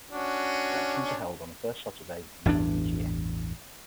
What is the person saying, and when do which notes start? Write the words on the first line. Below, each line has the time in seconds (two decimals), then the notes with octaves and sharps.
Elections are held on the first Saturday in May each year.
0.11 C#4 D4 F#4
2.45 A1 E2 G2 D4